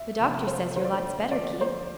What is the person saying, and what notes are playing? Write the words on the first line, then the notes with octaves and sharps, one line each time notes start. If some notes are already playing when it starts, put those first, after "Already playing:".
"The doctor says you're lots better, Keith."
Already playing: E5
C3 F3 A3
C5
D3 A3 C5
D5
C5
D3 F3 A3 D5
D5
C5